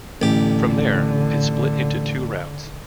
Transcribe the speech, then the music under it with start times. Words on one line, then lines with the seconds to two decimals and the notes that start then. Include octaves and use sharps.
From there, it split into two routes.
0.22 A1 D3 G4